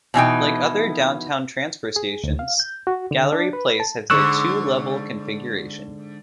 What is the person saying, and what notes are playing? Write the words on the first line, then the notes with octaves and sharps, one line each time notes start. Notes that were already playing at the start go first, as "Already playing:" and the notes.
Like other downtown transfer stations, Gallery Place has a two-level configuration.
B2 E3 D#4 G5
G#4
D2
F5
G6
F#4
D3
D4
B4
A5
G#2 D3 C#6 E6 F#6